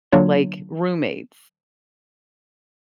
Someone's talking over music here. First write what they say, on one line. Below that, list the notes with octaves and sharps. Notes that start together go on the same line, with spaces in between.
like roommates.
D3 F#3 A#3 D4 F4 C#5